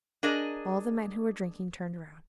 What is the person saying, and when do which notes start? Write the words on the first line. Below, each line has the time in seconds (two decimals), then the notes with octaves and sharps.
All the men who were drinking turned round.
0.23 D4 G#4 A#4 D#5